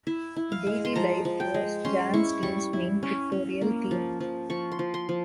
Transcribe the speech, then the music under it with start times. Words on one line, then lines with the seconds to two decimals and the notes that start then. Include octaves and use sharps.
Daily life was Jan Steen's main pictorial theme.
0.07 E4 E5
0.36 E4
0.52 F5
0.67 G#3
0.85 C6
0.96 F3 A#5
1.25 F3
1.40 G5
1.54 G#3
1.85 C#4 C6
2.14 E4 C#6
2.43 G3 C#6
2.73 E4
3.03 C#4
3.32 C#4
3.61 A#3
3.91 F3
4.20 F3
4.50 F3 C#6
4.72 C6
4.79 F3
4.94 C6
5.09 F3